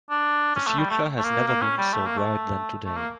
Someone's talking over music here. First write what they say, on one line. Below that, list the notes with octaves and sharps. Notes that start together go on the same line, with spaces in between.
The future has never been so bright than today.
D4
C#4
A3
G3
A3
A3
A#3
A#3
C#4
G3
A3
A#3
A3
A3
A#3